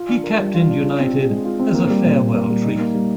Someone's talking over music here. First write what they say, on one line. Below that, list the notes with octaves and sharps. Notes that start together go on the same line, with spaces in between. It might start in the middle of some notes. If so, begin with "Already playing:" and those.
He captained United as a farewell treat.
Already playing: F4
D4
A#4
G3
F4
D4
F4
C4
G#4
G#3
F4
C4
A#3
G3
A#2
A#2
A#3
G3
D#4
A#3
G3